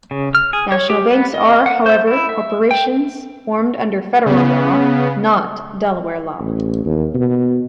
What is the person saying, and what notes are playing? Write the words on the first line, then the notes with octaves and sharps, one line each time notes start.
National banks are, however, corporations formed under federal law, not Delaware law.
C#3
F6
G#4
C#5
G4
B3
D#5
F#5
C5
E4
E5
G5
C#3 B3
A1
D#2
B2